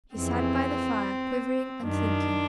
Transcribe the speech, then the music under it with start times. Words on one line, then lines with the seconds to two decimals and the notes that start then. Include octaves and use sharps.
He sat by the fire quivering and thinking.
0.16 F2 C#3 E3 C4
1.83 F#2 D#3 D4